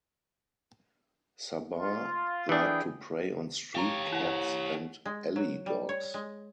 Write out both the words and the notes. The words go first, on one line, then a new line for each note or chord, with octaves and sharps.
Sabaw like to prey on street cats and alley dogs.
F4
E3 B3 D4 G#4 G5
G4 C#5 F5 A#5
E4 F#5
G#3
F#3
G3
C#5
G#3